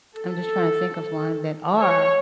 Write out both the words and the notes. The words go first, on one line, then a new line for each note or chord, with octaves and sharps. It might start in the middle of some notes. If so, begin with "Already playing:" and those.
I'm just trying to think of one that are
A4
C#5